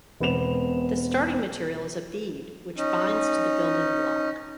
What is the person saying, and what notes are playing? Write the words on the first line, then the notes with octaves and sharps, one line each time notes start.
The starting material is a bead which binds to the building block.
E1 B3 C4 E7 F7
C#4 D#4